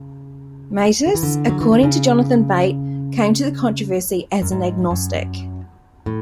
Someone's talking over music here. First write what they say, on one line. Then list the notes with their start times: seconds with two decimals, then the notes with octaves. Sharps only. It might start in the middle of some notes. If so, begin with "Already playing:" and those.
Matus, according to Jonathan Bate, came to the controversy as an agnostic.
Already playing: C#3
1.06 D3
1.15 E3
1.23 D3
1.49 F#3
1.61 E3
1.72 D3
1.83 C#3
4.42 F#2
4.52 G#2
4.91 F#2
6.06 A2